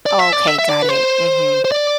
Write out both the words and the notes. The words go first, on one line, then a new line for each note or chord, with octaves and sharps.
Oh, okay, got it, mhm.
D5
E5
D5
E5
E5
D5
B4
C5
C5
D5